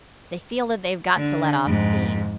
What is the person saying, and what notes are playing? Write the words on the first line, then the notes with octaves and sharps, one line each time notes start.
They feel that they've got to let off steam.
D3
F2 G#2